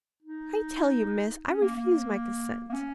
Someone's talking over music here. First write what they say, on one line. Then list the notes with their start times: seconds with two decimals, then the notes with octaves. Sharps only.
I tell you, miss, I refuse my consent.
0.22 D#4
1.47 C#4
1.62 A#3
1.76 A#3
2.70 A#3
2.73 C#4